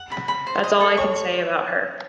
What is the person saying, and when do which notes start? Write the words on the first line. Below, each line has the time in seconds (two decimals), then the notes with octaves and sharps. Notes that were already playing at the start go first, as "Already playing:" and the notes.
That's all I can say about her.
Already playing: F#5
0.12 B5
0.28 B5
0.47 C5
0.64 D#5
0.81 A4
0.97 C#5 C#6
1.16 C#6